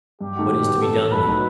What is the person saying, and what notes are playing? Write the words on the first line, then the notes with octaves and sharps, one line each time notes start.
What is to be done then?
G2 G4
D#3 A3 D#4 F#4
B2
G3 B3
C3 A4
E3 A3
B2 B4
F#3 A3 D#4